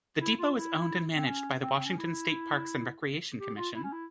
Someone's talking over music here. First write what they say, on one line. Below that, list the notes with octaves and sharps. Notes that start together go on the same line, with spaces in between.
The depot is owned and managed by the Washington State Parks and Recreation Commission.
E4
F4
E4
C4
C#4
C4
C4
C#4
E4
G4
F4
E4
C#4
E4